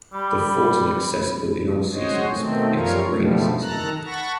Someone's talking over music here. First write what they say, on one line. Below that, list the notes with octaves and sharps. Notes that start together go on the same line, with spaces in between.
The fort is accessible in all seasons except rainy season.
G3 B5
G#3 F#4 C5 C#5 D#5
B2 D#3 A3 C4
F#2 F3 G3 F4 A#4 C#5
G#2 B2 F3 G3 A3
D#3 A4 A5 A#5 F#6
F#5 A5 B5 C#6 A#6